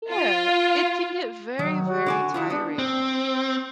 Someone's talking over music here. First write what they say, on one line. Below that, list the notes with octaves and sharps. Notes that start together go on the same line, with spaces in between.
Yeah, it can get very, very tiring.
F4
D#3 F#3
F#4
D3 D5 G#5
D#3 E4 F4
B3 D4
C4